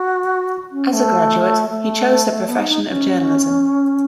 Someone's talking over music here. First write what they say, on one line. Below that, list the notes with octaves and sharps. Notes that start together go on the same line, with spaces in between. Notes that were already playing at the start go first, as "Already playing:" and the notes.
As a graduate he chose the profession of journalism.
Already playing: F#4
C#4
A3
A3
B3
D#4
D#4
C#4